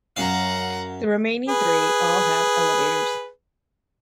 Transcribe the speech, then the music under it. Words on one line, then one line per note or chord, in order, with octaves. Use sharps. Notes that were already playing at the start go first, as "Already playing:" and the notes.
The remaining three all have elevators.
F#2 F5 F#5 A#5
G#4 B4